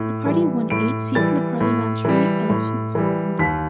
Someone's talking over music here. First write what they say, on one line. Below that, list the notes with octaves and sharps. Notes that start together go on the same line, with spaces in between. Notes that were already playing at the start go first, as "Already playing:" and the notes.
The party won eight seats in the parliamentary elections the following year.
Already playing: A2
E3 G3
A2 D7
E3 G3 A6
A2
E3 G3
A2
E3 G3
D#2 B6